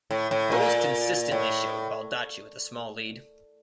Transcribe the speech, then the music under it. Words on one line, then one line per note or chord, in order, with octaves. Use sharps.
Polls consistently showed Baldacci with a small lead.
A2
A2
A#2
A2